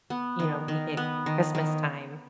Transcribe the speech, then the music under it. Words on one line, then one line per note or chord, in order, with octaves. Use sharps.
you know, we hit Christmastime
B3
D#3
D#3
B3
D#3
D#3